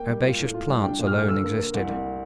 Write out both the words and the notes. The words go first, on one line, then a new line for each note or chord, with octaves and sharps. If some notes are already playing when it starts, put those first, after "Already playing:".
Herbaceous plants alone existed.
Already playing: A#3 G5
G3
F4
A2
F4
G3
D4 G5
A#2
F6
A3
D3 E6
A#3
A#3
C2
C2